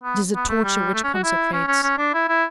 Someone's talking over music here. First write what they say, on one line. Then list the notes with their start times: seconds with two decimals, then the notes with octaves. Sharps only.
It is a torture which consecrates.
0.04 B3
0.35 B3
0.49 A3
0.64 G3
0.94 A3
1.04 C#4
1.14 F#4
1.24 E4
1.53 C#4
1.68 C#4
1.83 C#4
1.98 D4
2.14 E4
2.29 E4